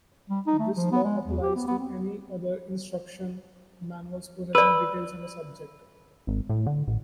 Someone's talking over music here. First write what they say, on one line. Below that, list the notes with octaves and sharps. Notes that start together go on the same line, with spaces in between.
This law also applies to any other instruction manuals possessing details on the subject.
G3
D#4
A3
F3
B3
G#3
E2
G4
B3
B3
C4
B4 D5 E6
G#1
A2
D3
A1